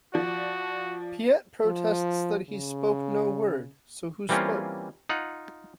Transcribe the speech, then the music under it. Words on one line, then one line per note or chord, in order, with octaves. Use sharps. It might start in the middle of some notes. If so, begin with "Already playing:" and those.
Piet protests that he spoke no word, so who spoke?
F3 F#4 D5
F3
C#3
E3 G3 A#3 C4 C#4 F4
D#4 F4 F#5